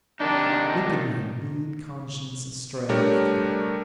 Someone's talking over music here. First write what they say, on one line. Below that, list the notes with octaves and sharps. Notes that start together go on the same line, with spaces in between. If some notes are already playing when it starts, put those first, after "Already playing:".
Wicked men lead conscience astray with authority.
C3 D#3 D4 D#4
G3 A3 D4 G4 A#4 C#5